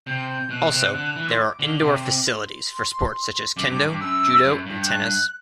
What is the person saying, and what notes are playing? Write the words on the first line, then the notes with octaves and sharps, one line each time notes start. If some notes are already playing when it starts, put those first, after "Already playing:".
Also there are indoor facilities for sports such as kendo, judo and tennis.
C3 G6
B2 F#6
C3
D3
E3
C6
D6
D3
C3
C6
F#2 D6
G2
G2
F#2 E6
F#2
G2
G6
F#6